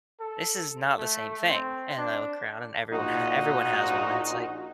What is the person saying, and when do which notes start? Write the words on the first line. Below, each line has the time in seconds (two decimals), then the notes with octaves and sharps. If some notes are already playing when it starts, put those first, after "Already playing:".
this is not the same thing." And I look around and everyone ha everyone has one. And it's like
0.21 A4
0.98 A3
1.49 C4
1.98 D4
2.91 A#1 A#2 D#4 F#4